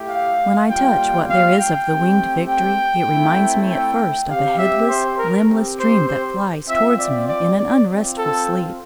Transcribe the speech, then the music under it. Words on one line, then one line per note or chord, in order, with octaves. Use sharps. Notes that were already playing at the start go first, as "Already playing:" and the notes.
When I touch what there is of the Winged Victory, it reminds me at first of a headless, limbless dream that flies towards me in an unrestful sleep.
Already playing: A3 E4 G4
F5
G3 A#3 F4 G5
F5
G5
A3 C4 G4
G5
A3 C4 E4
G5
C4 G4 F5
E5
C5
A#4
C4 G4
C5
C5
C4 F4 E5
D5
D5
D5
C4 F4
A4